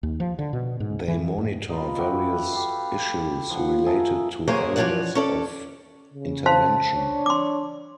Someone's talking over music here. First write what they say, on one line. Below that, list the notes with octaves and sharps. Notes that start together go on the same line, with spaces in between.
They monitor various issues related to areas of intervention.
D#2
F3
D3
B2
G#2
E3
G#2
D#4 F4 B4
F#4 G4 B4 E5
G4 A4 F5
F3 F#5
G#4 A#4 E5 A5
D3 F#3 A#3 G#4 C5 C#5
E3 F3 B3 C#5 D5 F#5
C#4 A4 D5
C#3
C5 F5 A5 C6
D4 C#5
C6 D6